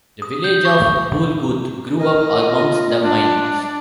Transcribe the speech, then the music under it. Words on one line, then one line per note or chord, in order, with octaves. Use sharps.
The village of Polgooth grew up amongst the mines.
D#6
G6
C#6
A#4 D#5
F4
D4